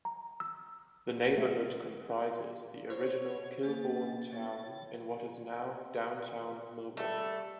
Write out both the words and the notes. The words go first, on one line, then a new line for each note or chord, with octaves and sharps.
The neighborhood comprises the original Kilbourn Town in what is now downtown Milwaukee.
A#5
E6
A3
C5 C#5
A#3 C#4 A6
C#5
G3 A3 A4